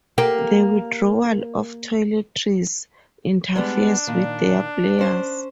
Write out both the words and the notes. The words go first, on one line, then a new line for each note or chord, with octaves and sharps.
The withdrawal of toiletries interferes with their prayers.
A#3 G4
G3 G#3 B3 D4
A#2 D#3
C#4 C5